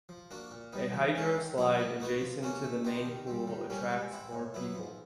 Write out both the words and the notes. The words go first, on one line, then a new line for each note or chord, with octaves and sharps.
A hydroslide adjacent to the main pool attracts more people.
F3
A#3 D4 F#4
A#2
G3 B3 D#4
E3
G#3 C#4
D#3
F#3 A3 C4 E4
A#3
D#4 F#4 B4
F3
A#3 C#4 F#4
A3
D4 G4 C5 D#5
D#3
G3 C4
D#3
G3 A#3 C#4
G#3
C4 E4
A2
F#3 B3 E4
F3